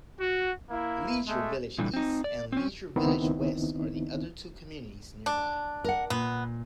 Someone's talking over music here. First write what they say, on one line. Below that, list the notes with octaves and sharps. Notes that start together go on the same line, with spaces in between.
Leisure Village East, and Leisure Village West are the other two communities nearby.
F#4
A#3 E4
G#3 A3
A#2 D3 E3 G3
C4 D#4
D5
C4 C#4
C#2 D#3 B3 C4 D#4 E4
D4
A#4 F#5
A#2 B3